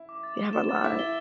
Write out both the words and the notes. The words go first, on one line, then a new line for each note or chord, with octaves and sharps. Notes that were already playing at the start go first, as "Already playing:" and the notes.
They have a lot.
Already playing: E4
D6
A6
G7
E7
A6
E4 A6
G7